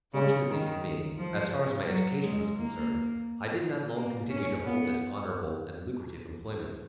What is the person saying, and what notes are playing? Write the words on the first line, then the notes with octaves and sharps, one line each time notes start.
Fortunately for me, as far as my education was concerned, I did not long continue to hold this honourable and lucrative employment.
C#3
D#3
F3
F#3
G#3
A#3
A#3
C#4
B3